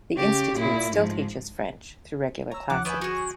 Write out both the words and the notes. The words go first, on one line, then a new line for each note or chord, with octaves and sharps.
The institute still teaches French through regular classes.
C#3 G4
A#2 E4
G#2 F3
C#5 A#5 E6
D#2 D3 F3 F#5 D6
B3 B4 C#5 E5 G#5 G6 D7
F#4 G#4 C#6